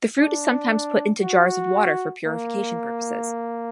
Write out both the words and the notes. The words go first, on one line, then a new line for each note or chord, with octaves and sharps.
The fruit is sometimes put into jars of water for purification purposes.
D4
F#4
A#3